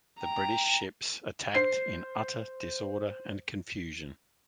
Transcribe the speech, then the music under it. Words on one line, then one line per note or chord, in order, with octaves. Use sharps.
The British ships attacked in utter disorder and confusion.
G5 A#5
C5 C7